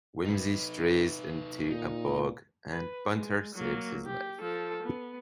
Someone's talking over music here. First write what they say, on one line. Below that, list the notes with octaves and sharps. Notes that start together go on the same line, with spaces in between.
Wimsey strays into a bog, and Bunter saves his life.
D#4 B4
A#2 D#4
B4
G#3
F#3 A#3
G4
F3 A4
B3